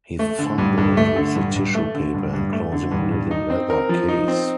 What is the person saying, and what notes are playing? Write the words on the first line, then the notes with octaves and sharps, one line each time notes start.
He fumbled with the tissue paper enclosing a little leather case.
A3
D3
G2
G2
A3
D3
G2
G2
A3
D3
G2
G2
A3
D3
G2
G2
D#4
C4
A#4
F3
D#4
C4